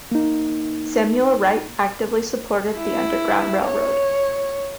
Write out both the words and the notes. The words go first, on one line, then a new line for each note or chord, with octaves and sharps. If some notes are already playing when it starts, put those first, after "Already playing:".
Samuel Wright, actively supported the Underground Railroad.
A#3 D#4
E4
C#5